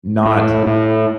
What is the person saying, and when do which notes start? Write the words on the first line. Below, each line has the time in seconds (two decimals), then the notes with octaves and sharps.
not v
0.25 A2
0.67 A2